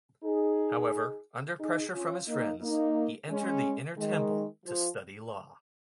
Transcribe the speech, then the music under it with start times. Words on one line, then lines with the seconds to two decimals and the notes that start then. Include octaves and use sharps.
However, under pressure from his friends, he entered the Inner Temple to study law.
0.24 D#4 G#4
1.60 D#4 G#4
1.94 C#4 F4
2.27 A#3 D#4
2.61 A#3 D#4
3.29 G#3 C#4
3.98 D#3 G#3
4.65 F3